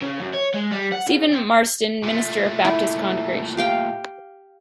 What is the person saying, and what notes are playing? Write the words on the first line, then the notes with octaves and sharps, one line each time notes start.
Stephen Marston, minister of a baptist congregation.
C#3
F#2
C#5
G#3
G3
F#5
C#3
C4
A#2 A3
E4
G4 F5 G5